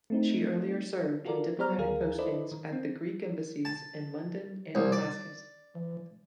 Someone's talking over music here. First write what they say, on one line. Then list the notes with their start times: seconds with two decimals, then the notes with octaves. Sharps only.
She earlier served in diplomatic postings at the Greek embassies in London and Damascus.
0.10 A3 C4 D#4
1.25 F4 F#4 A4 A#4 D5
1.59 F#3 B3 C5 D5 A#5 F6
1.78 D2 D#3 G#4 A#4 F5
2.18 E4 A4 B4 C5 D5 D#5
2.52 D#3
2.72 C4
3.65 A5
4.75 C2
4.92 D5